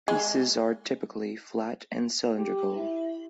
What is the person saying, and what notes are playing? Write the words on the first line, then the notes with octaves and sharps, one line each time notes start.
Pieces are typically flat and cylindrical.
G#3
G4
E4